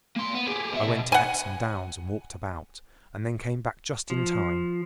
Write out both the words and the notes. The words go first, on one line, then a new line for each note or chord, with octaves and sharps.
I went to Epsom Downs and walked about, and then came back just in time.
A#3 C6
B3
G4 G#4
B3 E5
B2
F#5 G#5
F3